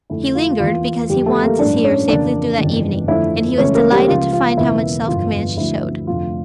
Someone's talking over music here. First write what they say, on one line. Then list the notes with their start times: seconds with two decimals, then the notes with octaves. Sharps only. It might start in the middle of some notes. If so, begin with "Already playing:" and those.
He lingered, because he wanted to see her safely through that evening, and he was delighted to find how much self-command she showed.
0.10 F2 D3 A3 E4
0.35 F4
0.60 E2 E3 A#3 F4
1.09 F2 D3 F3 G3 G4
1.26 A3 A4
1.42 A#3 A#4
1.59 A1 G2 F3 A#3 D4 D5
1.84 C#4 C#5
2.08 F2 C#3 E3 A#3 D4 D5
2.58 G1 F2 C#3 E3
3.08 F2 D3 F3 A3 E4 E5
3.58 C#2 C#3 E3 A3 C#4 C#5
3.75 A#3 A#4
3.91 G3 G4
4.08 C#2 C#3 F3 F4
4.33 F4
4.57 E1 E2 C#3 E3 A#3 E4
5.07 G1 F2 E3 F4
5.57 D2 D3 F3 E4
6.07 F1 F2 D3 F3 A3 F4